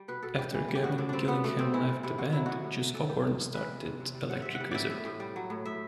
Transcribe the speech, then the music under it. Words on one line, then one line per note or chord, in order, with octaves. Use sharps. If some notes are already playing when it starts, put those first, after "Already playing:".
After Gavin Gillingham left the band, Jus Oborn started Electric Wizard.
Already playing: G3
B2 B4
B2 A4
G3 G4
E3
G3
G4
A2 F#4
A2 D4
G3 C4 D4
B2 B3
B2 A3
G3 C4
E3 E4
G3
C3 E4
C3 F#4
F#3 E4
A2 F#4
A2
F#3
E3 A4
G3 G4
C3
C3
E3 B4
G3
C3
C3
G3
C3 F#5
C3 E5
F#5
G3
G3 D5 E5
A2 E5
A2
G3
F#3
A2
A2 E5